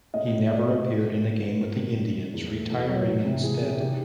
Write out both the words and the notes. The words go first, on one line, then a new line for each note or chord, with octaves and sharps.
He never appeared in a game with the Indians, retiring instead.
A2 D#5
A2
A3 D5
A2 D#5
A2
A3
A2
A2
B4
G3 A#4
G2
G2
G2
E2
A3
E2 A4
F#3
E3
C3
E3 G#4
C3 G#4
D#3 G4